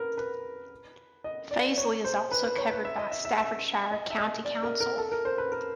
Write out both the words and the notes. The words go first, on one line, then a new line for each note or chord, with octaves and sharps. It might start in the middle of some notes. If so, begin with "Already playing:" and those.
Fazeley is also covered by Staffordshire County Council.
Already playing: A#4 B4
B4
D#5
D5
C#5
C5
B4
B4
C#5
B4
E5
D#5
E5
E5
E5
D#5
E5
D#5
D5
A#4
A#4
A4
A#4
C5
B4
A#4